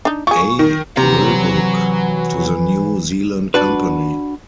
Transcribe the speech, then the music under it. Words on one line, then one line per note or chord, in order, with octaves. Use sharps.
A. Roebuck to the New Zealand Company.
D4 D#4
F4 G#4 C#6
D#3
C3 E3 F#3 A#5
D4 F#4 B4